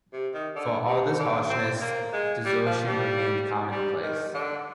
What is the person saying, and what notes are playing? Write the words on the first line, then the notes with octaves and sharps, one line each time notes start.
For all this harshness, desertion remained commonplace.
C3
D#3
D3
C3
D3
C4
A#3
G#3
G3
F3
G3
G3
D#3
D3